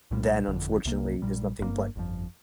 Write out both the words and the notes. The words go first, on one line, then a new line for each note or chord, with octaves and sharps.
Then unfortunately, there's nothing but
C2 A#2 G3
G1 F2 D3
C2 C3 G3 A#3
A#1 A#2 G3
G1 G2 D3 A#3
G1 F2 F3